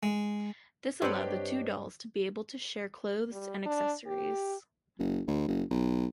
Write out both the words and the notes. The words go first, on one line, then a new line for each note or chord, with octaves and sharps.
This allowed the two dolls to be able to share clothes and accessories.
G#3
G2 C4 D4 G4 B4 C#5 D#5 F#5
G3
D4
G4
F#1
D2
F#1
B1